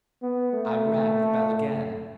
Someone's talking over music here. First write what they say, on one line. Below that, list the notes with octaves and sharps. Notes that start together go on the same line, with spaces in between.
I rang the bell again.
B3
A3